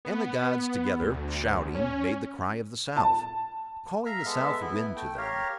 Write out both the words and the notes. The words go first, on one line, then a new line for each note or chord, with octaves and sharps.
And the gods together shouting made the cry of the south, calling the south wind to them.
B3
D2
C#4
A5
E5 F5 A#5
G#3 B3 A4 E5
B3 E4
A3 G5
G4 A#4 C#5 F5